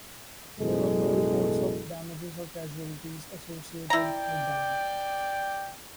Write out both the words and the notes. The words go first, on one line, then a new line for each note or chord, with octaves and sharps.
There were no reports of damages or casualties associated with Danny.
A1 F#2 B2 G#3 E4 A4
E4 D5 G5 A#5